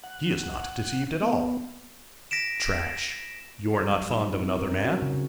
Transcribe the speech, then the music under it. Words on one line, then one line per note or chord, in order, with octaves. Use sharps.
He is not deceived at all.' 'Trash--you are not fond of another man.
F#5
B3
A#6 B6 D7 E7
G3
F#3
D#4
E4
C4
A#4
C#4
F#4
C#3
C#3